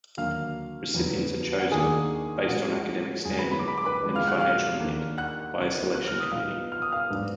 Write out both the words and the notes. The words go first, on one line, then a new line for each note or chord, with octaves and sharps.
Recipients are chosen, based on academic standing and financial need, by a selection committee.
D#2 D3 F#3 A#3 D4 F5 F6
F2 D3 F#3 B3
F#5
D#2 D#3 A#3 D4 G#4 G#5
A#2 F3 G#3 D#4 F#4 F#5
F#2 D3 G#3 G#4 G#5
B4 B5
B5
D6
B5
D6
B4 B5
D3 F3 G#3 D4
F5 F6
F#5 F#6
F5 F6
D#2 D#3 A#3 D4
F#5 F#6
D2 D3 F#3 B3
F#6
F6
D#6
A#2 F3 B3 D#4 F5 F6
F6
D#6
F5 F6
G#2 F#3 B3 D4